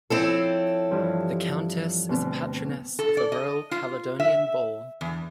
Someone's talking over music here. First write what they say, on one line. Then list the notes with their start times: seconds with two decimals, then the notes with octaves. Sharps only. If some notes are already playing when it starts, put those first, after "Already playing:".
The Countess is a Patroness of the Royal Caledonian Ball.
0.10 F3 C4 E4 A4 C#5 D#5
0.91 G2 E3 F3
2.09 D2 B2 C4
2.99 A4
3.17 D5
3.32 D#5
3.71 F4
4.20 E5
5.01 E2